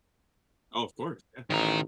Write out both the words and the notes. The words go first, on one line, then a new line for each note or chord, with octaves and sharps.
Oh, of course, yeah.
A1 D#3 A#5